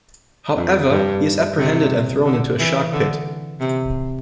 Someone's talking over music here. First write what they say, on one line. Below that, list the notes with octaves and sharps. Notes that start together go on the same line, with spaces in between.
However, he is apprehended and thrown into a shark pit.
F2
G2
C3
D3
E3
D3
C3